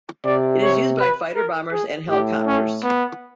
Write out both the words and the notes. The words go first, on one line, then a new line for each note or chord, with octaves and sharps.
It is used by fighter bombers and helicopters.
C3 D5
C#5
B4
A#4
G#4
A2 G4
C#4
B3